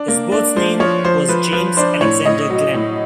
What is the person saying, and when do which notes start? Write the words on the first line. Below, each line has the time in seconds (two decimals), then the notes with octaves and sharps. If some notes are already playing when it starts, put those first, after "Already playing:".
His birth name was James Alexander Glenn.
Already playing: D4
0.08 A#3
0.32 D4
0.56 F3 C5
0.80 F3 C#5
1.04 F3 C5
1.29 F3 B4
1.53 F3 B4
1.77 D4 C5
2.01 A2 C#5
2.25 A2 D#5
2.50 F#3
2.74 A2